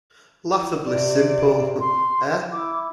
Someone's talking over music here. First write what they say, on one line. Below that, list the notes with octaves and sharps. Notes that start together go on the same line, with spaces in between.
Laughably simple, eh?
C3 D5
C6
E4 D6